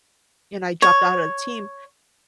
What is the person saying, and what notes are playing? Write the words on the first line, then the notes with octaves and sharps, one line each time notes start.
and I dropped out of the team,
C#5